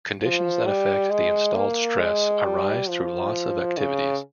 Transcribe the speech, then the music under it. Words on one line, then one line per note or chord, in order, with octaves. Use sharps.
Conditions that affect the installed stress arise through lots of activities.
F3
G3
G#3
A#3
G#3
G3
F3
C#3